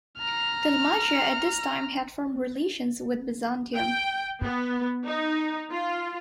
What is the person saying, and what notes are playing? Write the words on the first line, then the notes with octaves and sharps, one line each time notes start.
Dalmatia, at this time, had firm relations with Byzantium.
A#5 F6
G5
B3
D#4
F4